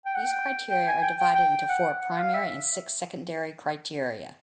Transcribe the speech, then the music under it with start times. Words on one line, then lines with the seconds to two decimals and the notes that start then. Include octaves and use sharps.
These criteria are divided into four primary and six secondary criteria.
0.05 G5
0.15 F#5
0.25 G5
0.70 G5
0.87 G#5
1.03 G5
1.20 G5
1.36 G5
1.69 F#5
2.01 F#5
2.17 F5
2.34 E5